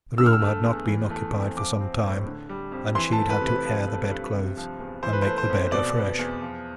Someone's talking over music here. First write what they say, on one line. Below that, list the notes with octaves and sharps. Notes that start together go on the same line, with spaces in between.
The room had not been occupied for some time, and she'd had to air the bed-clothes and make the bed afresh.
D3 E6
F6
E6
A3
E2
E3
A3
F2
F3 D6
C4
A2
D3
G3
F2
E3 C6
A5
A3
B4
C3
B4
F3
A3
G2
C3
F3
E2
E3 C5
B4
C5
A3
C5
F2
B2 D5
B3
E2
F3